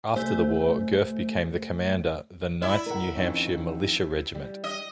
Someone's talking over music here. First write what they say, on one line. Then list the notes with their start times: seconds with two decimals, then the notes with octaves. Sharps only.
After the war, Goffe became the commander the Ninth New Hampshire Militia Regiment.
0.16 C2 A3 C5 G#5
2.62 E4 D5
2.86 A#4 F#5
3.15 F2 D#3 C#4
4.35 G3
4.64 D#5